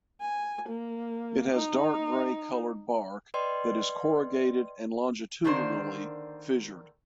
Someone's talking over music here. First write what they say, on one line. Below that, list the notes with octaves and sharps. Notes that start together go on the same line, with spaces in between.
It has dark grey coloured bark that is corrugated and longitudinally fissured.
G#5
A#3
D#4
B4 D5 D#5 G5 C6
D3 D#3 A#3 D4 F4 C5